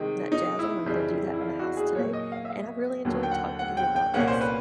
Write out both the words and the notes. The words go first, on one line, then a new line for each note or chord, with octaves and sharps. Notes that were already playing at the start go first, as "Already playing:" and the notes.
that jazz on. I'm gonna do that in the house today, and I really enjoyed talking to you about this.
Already playing: C3 D#3 G#3
D#4
E4
F2 C#3 E3 G3 C4
E4
F4
F#4
G#4
A#2 F#3 A#3 C#5
D#5
F5
E5
F5
D#2 D3 F#3 A#3
G5
F#5
F#5
G5
G5
C2 A#2 G3 A#3 C#4 F#5
C5
B4